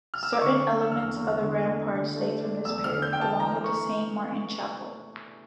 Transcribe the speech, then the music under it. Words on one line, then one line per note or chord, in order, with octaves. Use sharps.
Certains elements of the ramparts date from this period, along with the Saint-Martin chapel.
F6
E6
D6
D3 C#6
A3
E6
E2 F6
E2
D3
A3
D3
A3
D4
E2 E6
F6
D3
G6
A3 G5
A5
E3 A#5
A3 C#6